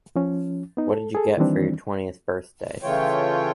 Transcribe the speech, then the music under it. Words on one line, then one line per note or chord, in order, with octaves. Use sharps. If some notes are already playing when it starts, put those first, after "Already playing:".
What did you get for your twentieth birthday?
F3 C#4
B3 D#4
A4
G#4 A4
D#3 E3 G3 C4 D4
C#3 E3 A3 F4 C#5 G5